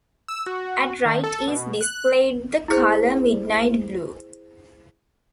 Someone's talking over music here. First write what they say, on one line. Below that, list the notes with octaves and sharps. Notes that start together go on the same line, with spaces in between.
At right is displayed the color midnight blue.
E6
F#4
D#3
A4
B2
F#6
E4 G#4 C5